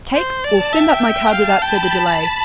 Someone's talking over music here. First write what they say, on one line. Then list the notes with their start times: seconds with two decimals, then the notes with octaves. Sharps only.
Take or send up my card without further delay.
0.15 C5
0.44 D5 A5
0.73 E5 G5
1.03 G5
1.33 F5 A5
1.62 G5 B5